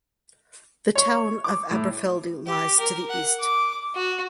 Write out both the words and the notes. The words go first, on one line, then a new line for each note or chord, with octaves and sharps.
The town of Aberfeldy lies to the east.
C#5
D6
A2
G4
A#4
F#5
D6
F#4